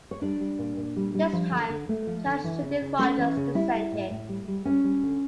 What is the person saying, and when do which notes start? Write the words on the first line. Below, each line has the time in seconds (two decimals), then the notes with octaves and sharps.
This time Judge Judith Rogers dissented.
0.11 C#5
0.22 G3 D4 D5
0.40 G3
0.58 A#2
0.77 A#2
0.96 G3
1.14 G3
1.33 F3
1.51 D3
1.70 D3
1.89 A3
2.07 F3
2.26 D3
2.44 E3
2.62 C#3
2.82 C#3
2.99 A3 C#4 C#5
3.18 E3
3.36 C#3
3.55 G3 E4 E5
3.74 G3
3.92 A2
4.10 A2
4.29 G3
4.48 G3
4.65 G3 C#4 C#5
4.84 G3
5.03 D3